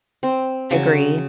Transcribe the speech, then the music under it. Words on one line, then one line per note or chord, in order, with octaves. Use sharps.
I agree.
C4
C#3 F#3